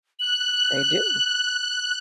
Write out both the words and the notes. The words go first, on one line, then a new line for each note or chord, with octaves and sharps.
They do.
F#6 F#7